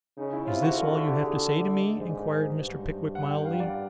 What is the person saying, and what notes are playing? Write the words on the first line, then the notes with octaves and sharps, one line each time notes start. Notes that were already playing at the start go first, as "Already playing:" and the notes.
'Is this all you have to say to me?' inquired Mr. Pickwick mildly.
C#3 D#4
E4
C3 F4
F#4
D3
F#4
G4
G#4
A4
D5
E5
D#5
G#2
G2
F#5
G5
F5
D5